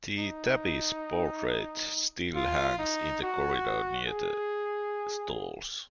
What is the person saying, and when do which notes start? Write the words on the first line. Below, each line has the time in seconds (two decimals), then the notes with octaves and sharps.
The tabby's portrait still hangs in the corridor near the stalls.
0.19 D#4
2.35 F4
2.79 D#4
3.22 F#4
4.08 G#4